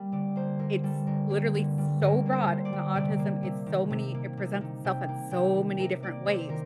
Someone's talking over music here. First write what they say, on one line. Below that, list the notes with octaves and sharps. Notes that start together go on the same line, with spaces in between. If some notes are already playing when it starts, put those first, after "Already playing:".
It's literally so broad in the autism. It's so many it presents itself in so many different ways,
Already playing: G3 A#3
D3 D5
A#3 C5
D3 A#4
G3 A4
D3 A#4
A#3
D3
G3
D3 A#4
A#3
C5
D3
D5
G3
C3 D5
A#3
C3
D#3
C3
A#3
C3
D#3
C3 G5
A#3
C3 G5
D#3
C3 A#4
A#3 D5
C3 C5
D#3 A#4